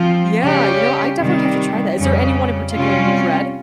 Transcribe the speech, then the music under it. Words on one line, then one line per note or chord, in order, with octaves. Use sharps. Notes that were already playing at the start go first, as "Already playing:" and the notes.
Yeah. You know, I definitely would have to try that. Is there anyone in particular you've read
Already playing: F3 C4 F4
C#3 G3 C#4 G4
C3 D#3 G3
F2 C#3 G3 C#4
C3 G3 C#4 F4